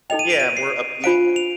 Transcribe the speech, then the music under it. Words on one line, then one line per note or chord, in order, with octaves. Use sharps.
Yeah, more upbeat.
D#4 A4 D#5 G5 F7
D#7
D7
D#7
C7
D4 F4 C5 F5 D7
F7